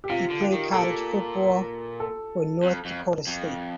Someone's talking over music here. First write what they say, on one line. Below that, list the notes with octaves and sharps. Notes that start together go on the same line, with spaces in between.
He played college football for North Dakota State.
G4
C3 F4
D3
G4
D#3
A#2 A4
A4
F2
F2
F2